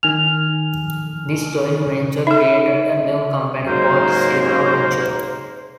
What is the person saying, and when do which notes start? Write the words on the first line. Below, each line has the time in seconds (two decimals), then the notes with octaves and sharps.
This joint venture created a new company called Sierra Venture.
0.03 D#3 G#5 F6 F7
2.27 D#4 A4 E5
3.67 G#2 F#3 A#3 C5